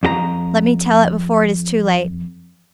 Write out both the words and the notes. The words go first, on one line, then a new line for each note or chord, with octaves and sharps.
Let me tell it before it is too late!
F2 G4 A#5